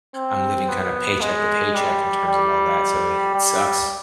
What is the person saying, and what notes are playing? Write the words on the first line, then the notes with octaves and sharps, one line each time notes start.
I'm living kinda paycheck to paycheck in terms of all that, so it sucks.
C4
B3
G#3
G3
G3
G3